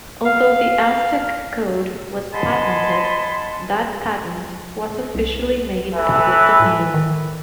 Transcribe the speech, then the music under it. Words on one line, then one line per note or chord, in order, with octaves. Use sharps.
Although the Aztec code was patented, that patent was officially made public domain.
F5
D#5 F#5 G#5 A5 B5 C6
C2
E3 A4 B4
A2
D#3